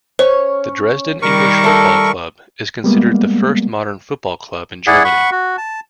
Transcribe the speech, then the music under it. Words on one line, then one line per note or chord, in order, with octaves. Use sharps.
The Dresden English Football Club is considered the first modern football club in Germany.
C#4 C5 C#5
D#3 G3 A#4 C#6
A3 A4
G3 G#3 A#3 B3
E4 G#4 D5 F#5
F#5 B5 C#6
F#4
A5